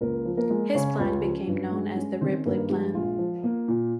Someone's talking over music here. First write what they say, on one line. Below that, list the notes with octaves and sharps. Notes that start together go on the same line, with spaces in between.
His plan became known as the "Ripley Plan".
C#2 A#3 A#4
F3
A#3 A#4
G#3
C#3 C#4 C#5
C#2
F3
G2
G#3
C#4
D#3 C4 C5
G2 A#3 A#4
G3 G#3 G4
A#1 F4
F3
A#3
A#2